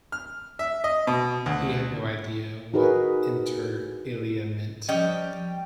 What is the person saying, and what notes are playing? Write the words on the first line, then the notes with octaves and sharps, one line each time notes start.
He had no idea what inter alia meant.
F6
E5
D#5
B2
D2
D#4 F#4 G#4 A#4 B4
F3 G3 C#4 D#5 G5